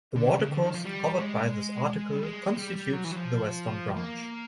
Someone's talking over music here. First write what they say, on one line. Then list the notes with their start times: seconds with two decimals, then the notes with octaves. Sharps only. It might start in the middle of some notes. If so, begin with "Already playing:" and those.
The watercourse covered by this article constitutes the western branch.
0.16 D3
0.28 C#3
0.39 C#3
0.51 D3
0.62 D#3
0.74 F3
0.85 G3
1.20 G#3
2.15 G3
2.23 G#3
2.58 G3
2.75 G3
2.93 F#3
3.04 E3
3.11 F#3
3.16 F3
3.97 A#3